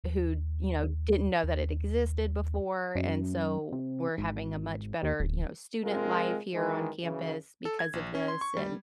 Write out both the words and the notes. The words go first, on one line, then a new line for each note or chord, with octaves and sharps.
who," you know, "didn't know that it existed before, and so we're having a much better," you know, "student life here on campus because of this, and"
D#2
D#2
F#2
C3
G#1
D#2
D1
C3 G#3 C4 F4 A#4
F#2 D#3 E3 G#3
F#2 C#3 E3
A4
G#6
A#1
C#4
C6
C#6
G3